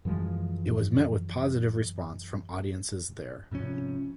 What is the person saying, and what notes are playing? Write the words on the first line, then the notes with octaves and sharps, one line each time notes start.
It was met with positive response from audiences there.
F#2 E3 F3 G#3
G#2 C3 F3 C#4